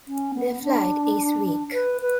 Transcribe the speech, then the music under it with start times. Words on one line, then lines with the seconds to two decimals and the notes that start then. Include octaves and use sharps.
Their flight is weak.
0.07 C#4
0.34 B3
0.63 D4
1.73 B4
2.02 B4